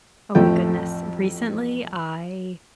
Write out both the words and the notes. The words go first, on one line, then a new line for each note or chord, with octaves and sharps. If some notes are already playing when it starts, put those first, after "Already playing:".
Oh my goodness, recently, I
A1 F2 F3 A3 G5